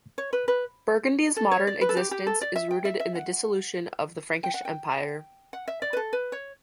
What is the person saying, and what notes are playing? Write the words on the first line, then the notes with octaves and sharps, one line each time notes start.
Burgundy's modern existence is rooted in the dissolution of the Frankish Empire.
C#5
B4
B4
A4
C#5
D5
B4
A4
G4
G4
A4
D5
E5
G5
E5
E5
F#5
G5
F#5
G5
F#5
E5
D5
B4
A4
B4
C#5